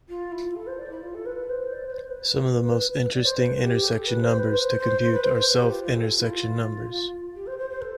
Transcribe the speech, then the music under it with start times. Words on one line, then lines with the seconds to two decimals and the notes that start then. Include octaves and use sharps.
Some of the most interesting intersection numbers to compute are "self-intersection numbers".
0.09 F4
0.31 E4
0.44 F4
0.55 A4
0.67 C5
0.79 D5
0.90 E4
1.02 F4
1.14 A4
1.26 B4
1.49 C5
1.72 D5
1.84 C5
1.92 B4
1.95 C5
2.08 B4
3.13 D5
3.25 C5
3.36 B4
3.60 G4
3.84 A4
4.06 B4
4.22 C5
4.38 B4
4.53 C5
4.78 C5
5.01 C5
5.12 B4
5.24 C5
5.35 C5
5.47 B4
5.59 G4
5.71 F4
5.82 F4
5.94 A4
6.17 E4
6.29 F4
7.35 G4
7.47 C5
7.59 C5
7.70 C5
7.81 A4